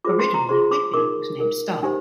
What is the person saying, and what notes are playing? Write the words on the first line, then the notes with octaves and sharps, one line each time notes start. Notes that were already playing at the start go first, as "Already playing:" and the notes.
Originally, Whitby was named Stahl.
F4 G#4 C5 D6
C6
A#5
F4 G#4 C5 C6
D6
D#4 A#4 D6
D#4 A#4
D#4 G4 C5 G#5